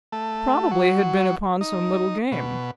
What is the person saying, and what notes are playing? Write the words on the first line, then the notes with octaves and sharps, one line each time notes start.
Probably had been upon some little game.
A3
F#3
D#4
B2